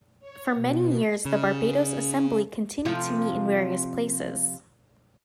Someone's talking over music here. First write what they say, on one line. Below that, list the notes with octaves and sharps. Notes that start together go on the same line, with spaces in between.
For many years the Barbados Assembly continued to meet in various places.
C#5
B2
C#3
C3 F3 A3